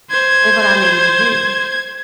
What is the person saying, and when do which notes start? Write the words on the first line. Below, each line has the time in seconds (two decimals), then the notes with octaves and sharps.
did what I needed to do.
0.11 C5 G#6